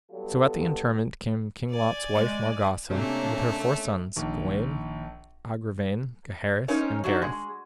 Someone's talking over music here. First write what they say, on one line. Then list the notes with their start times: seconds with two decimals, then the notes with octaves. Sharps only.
SO at the interment came King Lot's wife Margawse with her four sons, Gawaine, Agravaine, Gaheris, and Gareth.
0.10 F#3 G3 B3 F4 A4
1.71 D5 G#5
2.15 G#3
2.90 C3 A3 A#3 C#4 D4
4.16 A#1 D#3
6.68 C4 C#4 D#4 A#4
7.04 F#3 D4 D#4 F#4
7.22 G#3